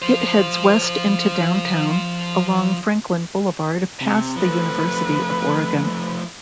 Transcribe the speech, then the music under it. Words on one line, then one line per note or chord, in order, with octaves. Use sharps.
It heads west into downtown, along Franklin Boulevard past the University of Oregon.
F3 C5
C3
F3 A3 B4